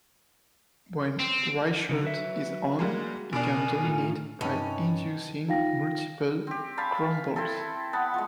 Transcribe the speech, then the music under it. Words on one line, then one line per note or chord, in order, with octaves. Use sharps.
When Reichert is "on", he can dominate by inducing multiple groundballs.
C4
C#3 F3 D#4
F#3 B4 E5
G3 G#3 A#3 F#4 G#4
B2 D4 A#4 G#5
A2 D#4 F4
G2 C3 C#4 D#4 B4 A5
D#4 F4 F5 G5 A#6
C4 G4
F5 G#5 A5 B5
C4 E4 A4
B3 F#5 A5 B5
F3 G#3